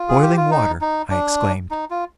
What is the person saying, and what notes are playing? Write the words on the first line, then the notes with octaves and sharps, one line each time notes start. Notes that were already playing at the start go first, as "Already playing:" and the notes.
"Boiling water?" I exclaimed.
Already playing: F4
G#4
G4
F4
D#4
D#4
D4
D#4
F4